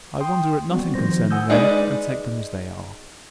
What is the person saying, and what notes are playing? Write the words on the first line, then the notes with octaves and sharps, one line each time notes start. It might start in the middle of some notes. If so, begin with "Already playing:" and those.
I wonder at nothing concerning them, and take them as they are.
G5 C6 D#6
G3 B3 C4 F#4
D#3 F3 C5 A#6
F#5 G#5 D#6 E6 G6
G#3 D#4 B4 D5